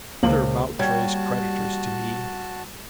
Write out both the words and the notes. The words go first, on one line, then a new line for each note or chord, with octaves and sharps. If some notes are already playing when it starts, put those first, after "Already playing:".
What are Mountjoy's creditors to me?
C#2 A#3 C5 F#7
G3 F#4 C#5 A5 G#6